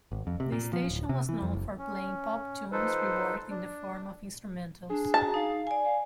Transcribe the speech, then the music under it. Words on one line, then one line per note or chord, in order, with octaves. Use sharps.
The station was known for playing pop tunes reworked in the form of instrumentals.
G#1
F2
C3
A#2
F3
D1
C3
E3
F2
F#1
C#4
F3 D#4 A4 B4 C5
D4
D4 G#4
F#4 A5 A#5
D#4 F5
D5 G#5
F5